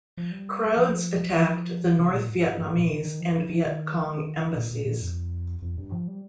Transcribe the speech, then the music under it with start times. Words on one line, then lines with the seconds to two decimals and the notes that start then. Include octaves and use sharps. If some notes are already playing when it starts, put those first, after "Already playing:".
Crowds attacked the North Vietnamese and Viet Cong embassies.
0.17 F3
0.31 G3
0.77 F3
1.99 C#3
2.13 A#2
2.29 G#2
2.44 G2
2.59 G#2
2.75 A#2
2.90 C#3
3.05 D#3
3.20 F3
3.35 F3
3.50 F3
3.66 D#3
4.56 A#2
4.71 A#2
4.86 A#2
5.01 F2
5.62 F2
5.78 G2
5.92 F3
6.08 G3